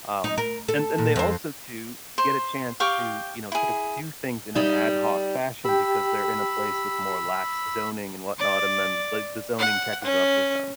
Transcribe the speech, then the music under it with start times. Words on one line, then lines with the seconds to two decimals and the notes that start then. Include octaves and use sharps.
Um. And and they also, too, get a chance to, you know, sort of do things in an ad hoc fashion because they're in a place with more lax zoning and whatnot, and then, like, the zoning catches up with them.
0.24 D#4
0.38 A#4
0.68 A4
0.98 A#2
1.16 F2 C5
2.18 C5
2.80 G4 F5 G5 C#6
3.52 E4 G#4
4.55 G3 D#4 E5
5.65 G4 G5 B5 E6
8.39 D5
9.59 F#5
10.04 C#4